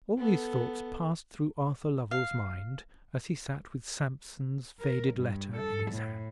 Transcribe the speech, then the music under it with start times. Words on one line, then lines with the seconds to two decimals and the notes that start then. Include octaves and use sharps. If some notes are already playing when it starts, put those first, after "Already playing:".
All these thoughts passed through Arthur Lovell's mind as he sat with Sampson's faded letter in his hands.
0.18 B3 A4
2.11 F5
4.80 A#4
5.14 G2
5.57 A4
5.92 A2